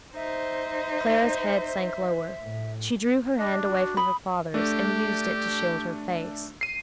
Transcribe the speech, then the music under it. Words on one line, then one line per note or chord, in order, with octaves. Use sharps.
Clara's head sank lower; she drew her hand away from her father's, and used it to shield her face.
D#4 C5 E5
A2
D4 D#5
F#4
B5 D#6
A3 D4 G4
C7 D#7